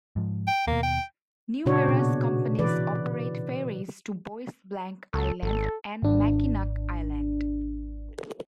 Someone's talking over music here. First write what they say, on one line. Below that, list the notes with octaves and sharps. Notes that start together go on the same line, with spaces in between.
Numerous companies operate ferries to Bois Blanc Island and Mackinac Island.
G#2 F3
G5
D#2 B2 A#3
G5
A#2 C#3 D4 F#4 C#5
B2
E3 B4 D5
C#2 A4
G#1 A4
G#1 D4